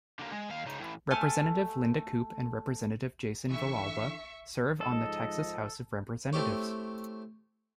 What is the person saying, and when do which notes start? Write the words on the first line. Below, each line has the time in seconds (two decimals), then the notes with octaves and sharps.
Representative Linda Koop and Representative Jason Villalba serve on the Texas House of Representatives.
0.19 D3 A#3
0.32 G#3
0.50 D#2 F5
0.66 C#3 D#4
0.79 A2 E3
1.11 A3 G#5 A5 F6
3.51 D3 E3 E5 C#6
4.81 G#2 F3 A4 D#5
6.33 A3 C4 E4 G4 C#5